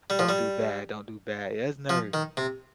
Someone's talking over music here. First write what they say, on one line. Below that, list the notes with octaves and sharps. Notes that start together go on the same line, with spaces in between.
don't do bad, don't do bad." It's nerve
G3
F3
G3
F3
D#3
C3